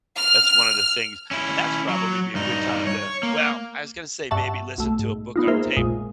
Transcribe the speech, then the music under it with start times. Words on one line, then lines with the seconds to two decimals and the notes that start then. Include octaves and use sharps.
that's one of the things and that's probably be a good time to well, I was gonna say maybe listen to a book on tape,
0.16 F6
1.31 C#4 E4
1.89 F#3
2.35 G2 D#4
2.87 C#5
3.23 A#3
4.31 G2 E5 F#5 A5 C#6
4.78 B1 A3
4.99 G#2
5.36 B3 D#4 F4
5.48 A#3 G#4 A#4 C5 E5
5.77 A#1 F2 A#2 G#3